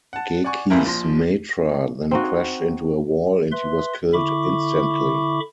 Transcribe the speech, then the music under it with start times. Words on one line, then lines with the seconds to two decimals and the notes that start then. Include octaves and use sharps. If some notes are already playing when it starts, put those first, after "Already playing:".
Geki's Matra then crashed into a wall and he was killed instantly.
0.13 F#5 A5
0.44 D5 F#5 G#5 C#6
0.70 D1 C#2 G2 E4 A#4 G#5
0.85 A#1 F3 C6 A#6
2.11 C4 D#4 F#4
3.52 B4 E5 C6
4.13 D3 E4 E5 B5 C#6 D6